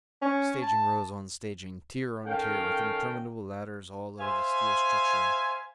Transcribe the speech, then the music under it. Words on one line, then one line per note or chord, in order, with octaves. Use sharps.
Staging rose on staging, tier on tier, with interminable ladders all over the steel structure.
C#4
A5
D#3 C#4 A4 F5 G5
C5 E5 F5 G#5